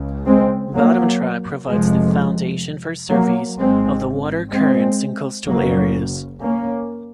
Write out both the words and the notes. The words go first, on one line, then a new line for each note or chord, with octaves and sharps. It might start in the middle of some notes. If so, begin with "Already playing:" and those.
Bottom track provides the foundation for surveys of the water currents in coastal areas.
Already playing: C#2 C#3
G#3 C4
F#3 A#3
F1 F2 C3 F3 G#3
F#3 A#3
G#1 G#2 G#3 C4
G#3 C4
F#1 F#2 C#3 F#3 A#3
A#3 C#4